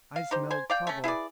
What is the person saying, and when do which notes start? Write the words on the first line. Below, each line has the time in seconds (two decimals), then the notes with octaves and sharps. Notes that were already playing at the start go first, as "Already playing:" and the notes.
I smell trouble.
0.16 F5
0.31 D#4 G4 C5
0.51 C5 G#5
0.70 D5 F5 G5
0.87 A3 C#4
1.04 E4 G#4 B4 D5